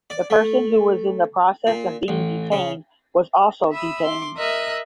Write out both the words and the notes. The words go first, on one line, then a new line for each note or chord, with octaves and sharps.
The person who was in the process of being detained was also detained.
D5
A3
A#2
A1
C#3
E5 B5 D#6 E6
C6 D6
A#4 D#5 E5 D#6 F#6